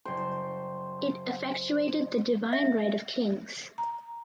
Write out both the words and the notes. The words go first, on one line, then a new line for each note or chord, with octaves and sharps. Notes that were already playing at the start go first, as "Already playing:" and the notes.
It effectuated the divine right of kings.
F#1 C5 G5
E5
A#5